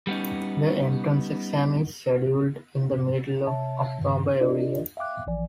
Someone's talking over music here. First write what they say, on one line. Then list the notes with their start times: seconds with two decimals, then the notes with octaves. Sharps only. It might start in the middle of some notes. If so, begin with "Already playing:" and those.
The entrance exam is scheduled in the middle of October every year.
0.07 G3 B3 C#4 D#4
3.47 C3 C#5 E5 A5
3.99 G2 D#3
4.41 D4 F4 G4 A#4 D5 D#5
4.97 E5 F5 G5 D6 F#6
5.27 A1 E3 F3 D5 G#5